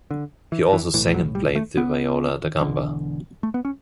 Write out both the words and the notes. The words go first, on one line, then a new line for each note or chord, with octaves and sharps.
He also sang and played the viola da gamba.
D3
E3
E3
B1 A2 E3
F#3
G3
A3
B3
E1 E2 D3
A3
B3
C#4